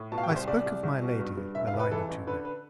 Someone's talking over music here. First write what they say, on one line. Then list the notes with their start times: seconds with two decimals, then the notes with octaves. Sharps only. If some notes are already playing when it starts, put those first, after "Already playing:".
I spoke of my lady a line or two back.
Already playing: A2
0.12 B2 A5
0.18 F5
0.23 G5
0.30 C2
0.36 C5
0.48 C2 D5
0.66 C2
0.83 C2
1.02 B2
1.19 G2
1.37 G2
1.55 F1 E5
1.67 F5
1.74 F1
1.79 B4
1.91 E3 A4
2.09 A1
2.27 D3 B4
2.45 B4